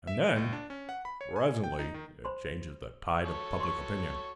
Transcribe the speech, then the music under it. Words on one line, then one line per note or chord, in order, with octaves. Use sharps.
And then, presently, it changes the tide of public opinion.
E5
A4
C#2
D4
C#4
F#5
B5
C#5
G#5
G5
D#4
D#3
C5 B5 C6
F#4 A4 C#5
C6 C#6